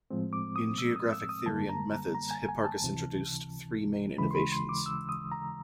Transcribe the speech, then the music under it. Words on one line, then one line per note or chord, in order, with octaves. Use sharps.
In geographic theory and methods Hipparchus introduced three main innovations.
A2 F3 G#3 C4
D6
D#6
E6
D#6
E6
D#6
F#2 D3 G3 A#3 A5
A#5
A#5
G#5
G#5
A5
C#2 C3 E3
D#2 C#3 E3 G#3 B5
C6
B5
C6
D6
E6
D#6
A#5